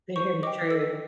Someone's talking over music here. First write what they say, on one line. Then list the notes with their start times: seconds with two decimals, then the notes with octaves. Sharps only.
Very true.
0.16 C5 C#6
0.43 D#5 G5 D6
0.70 A4 E6